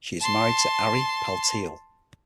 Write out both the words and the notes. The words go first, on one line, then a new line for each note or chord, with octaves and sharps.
She is married to Ari Paltiel.
A5 C6